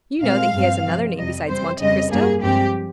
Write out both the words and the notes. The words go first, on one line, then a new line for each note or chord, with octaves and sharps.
"You know that he has another name besides Monte Cristo?"
A#2 G#3 C4 F5
G2 F3 C4
C3 F3 C4
F2 C3 G3 D#5
C3 G3 C4 C5
F2 C#3 G3 C4 D#5
G2 G3 A#3 G#4
G2 F3 G#3 C4 G4